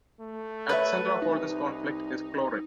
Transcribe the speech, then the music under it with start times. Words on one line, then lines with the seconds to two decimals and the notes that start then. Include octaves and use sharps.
At the center of all this conflict is Clorinde.
0.20 A3
0.69 B4 C#5 D5 E5
1.22 C2 D#4